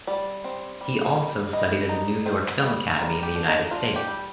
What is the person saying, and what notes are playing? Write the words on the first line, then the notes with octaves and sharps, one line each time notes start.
He also studied at the New York Film Academy in the United States.
G3 D5
C4
G3
G3
G3 D#5
D#4
C4 C5
G3
G3 A#4
G4
D4
D#4
D4 F4
G4
G3